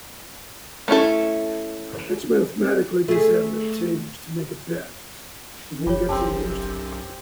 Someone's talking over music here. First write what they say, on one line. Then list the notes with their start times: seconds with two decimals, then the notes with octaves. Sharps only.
It is mathematically disadvantageous to make a bet if one getsthe worst of it.
0.88 A3 C#4 E4 A4
3.08 A3 G#4
5.87 F#1 F4 G4 C#5
6.09 B1 F#2 C4 G4 A5 C6